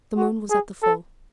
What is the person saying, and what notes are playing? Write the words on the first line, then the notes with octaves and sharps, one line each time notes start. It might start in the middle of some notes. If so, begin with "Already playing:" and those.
The moon was at the full.
F#4
G#4
A4